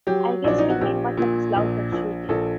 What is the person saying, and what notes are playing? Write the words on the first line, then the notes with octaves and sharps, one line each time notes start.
I guess you ain't much of a slouch at shooting.
F#3 G4
A#1 D4
D#4
F#4
A#1 G4
A#2
A#1
A#1
A#1 A4